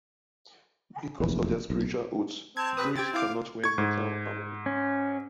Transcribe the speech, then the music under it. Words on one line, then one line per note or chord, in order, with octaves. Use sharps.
Because of their spiritual oaths, druids cannot wear metal armor.
F1 A#1 E2
B1
C4 A5 G#6
G4 B4 D#6
C4 G4 G5 G#6 A6
E4 F5 D6
C#6 G#6
G#2
C#4